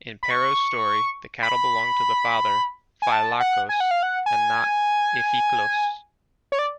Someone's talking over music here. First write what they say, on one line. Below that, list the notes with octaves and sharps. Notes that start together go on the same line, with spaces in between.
In Pero's story, the cattle belong to the father Phylakos and not Iphiklos.
B5
C#6
B5
G#5
A5
F#5
G#5
F#5
F5
F#5
G#5
C#5
D5